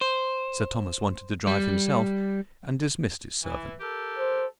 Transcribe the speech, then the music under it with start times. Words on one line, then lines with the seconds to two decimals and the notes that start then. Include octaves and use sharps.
Sir Thomas wanted to drive himself and dismissed his servant.
0.01 C5
1.47 G3
3.44 E3
3.81 G4 A4 A#4
4.18 C5